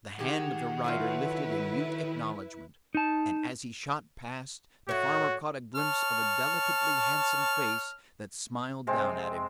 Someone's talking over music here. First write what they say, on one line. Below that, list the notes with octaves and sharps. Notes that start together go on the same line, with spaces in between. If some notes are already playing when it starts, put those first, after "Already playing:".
The hand of the rider lifted in mute acknowledgment, and as he shot past, the farmer caught a glimpse of a delicately handsome face that smiled down at him.
D#3 G4 G#4 F#5
F#3 A3 E4 F4 B4
D#4 A5
A2 F#4 C#5
C#5 A5 F6
C3 G#3 C4